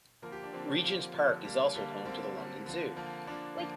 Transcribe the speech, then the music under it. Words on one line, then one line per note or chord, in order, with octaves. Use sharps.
Regent's Park is also home to the London Zoo.
D3 F3 A#3 A#4
G4
D4
D3 F3 A#3 C4
D3 F3 A#3
D3 F3 A#3
D3 G3 A#3
D3 G3 A#3
D3 G3 A#3 C4
D3 G3 A#3
D3 F3 A#3
D3 F3 A#3
D3 F3 A#3 D4
D3 F3 A#3